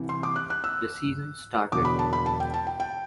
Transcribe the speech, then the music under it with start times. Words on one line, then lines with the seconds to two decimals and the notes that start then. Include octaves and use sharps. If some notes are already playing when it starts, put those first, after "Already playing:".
The season started.
Already playing: C2 C3 E3
0.09 C6
0.23 D6
0.36 F#6
0.50 F#6
0.64 E6
1.72 E1 E2 D3 F#3 D6
1.85 B5
1.99 A5
2.13 B5
2.26 A5
2.40 G5
2.54 A5
2.67 G5
2.80 G5